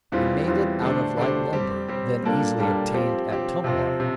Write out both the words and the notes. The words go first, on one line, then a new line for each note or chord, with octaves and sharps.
We made it out of light lumber, then easily obtained at Tumwater.
E2 E3 G3 C4 F4
E2 E3 G3 C4 F4
D3 A3 D4 G4 C5
D3 A3 D4 G4 C5
G3 C4 G4
G3 C4 G4
A#2 G3 A#3 D4 A4
A#2 G3 A#3 D4 A4
F3 C4 G4
F3 C4 G4
C3 F3 C4
C3